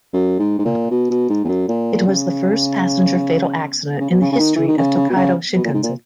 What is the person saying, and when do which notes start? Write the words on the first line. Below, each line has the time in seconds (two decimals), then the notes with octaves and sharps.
It was the first passenger fatal accident in the history of the Tokaido Shinkansen.
0.13 F#2
0.40 G#2
0.59 G#2
0.65 A#2
0.91 B2
1.10 B2
1.30 G#2
1.44 E2
1.48 F#2
1.68 A#2
2.07 C#3
4.00 C#3
4.10 B2
4.21 C#3
4.32 C#3
4.39 D#3
4.56 E3
4.67 D#3
4.78 C#3
4.97 C#3
5.10 B2
5.16 C#3
5.55 B2
5.65 A#2
5.74 G#2
5.83 A#2